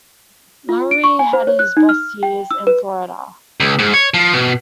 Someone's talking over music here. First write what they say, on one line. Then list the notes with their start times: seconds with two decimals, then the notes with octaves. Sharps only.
Lowry had his best years in Florida.
0.69 F4
0.91 D7
1.04 C#6
1.19 G#5
1.33 C5
1.47 C#5
1.59 F#6
1.77 D#4
1.89 F6
2.23 G5
2.51 E6
2.67 B4
3.60 C#2
3.79 G#2
3.94 C#5
4.14 F3
4.33 B2